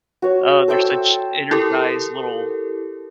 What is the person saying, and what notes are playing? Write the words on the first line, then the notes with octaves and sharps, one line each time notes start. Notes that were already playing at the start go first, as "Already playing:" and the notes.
Oh, they're such energized little
F#4 C#5
A4 C5 G5 E6
E4 G4 A4 A#4